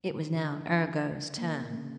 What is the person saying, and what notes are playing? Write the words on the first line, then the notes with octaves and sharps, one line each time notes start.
It was now Arago's turn.
D3
D3
D3
D3
C#3
A#3
C#3